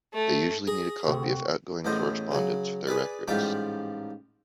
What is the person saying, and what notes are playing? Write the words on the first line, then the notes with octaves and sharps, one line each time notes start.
They usually need a copy of outgoing correspondence for their records.
A3
G#4 A#6
D2 C3 C4 F#4
A1 E2 A2 C5 D#5
C#3 F#3
G#4 B4 D5
A1 G#2 G3 F4 G5 D6